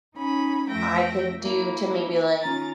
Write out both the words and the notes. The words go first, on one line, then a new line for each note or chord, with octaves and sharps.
I could do to maybe, like,
C#4 D#4 B5
F2 F3 A3 E5 G5 A#6
A#3 E4
D#3 C#4 F4 A#5 A6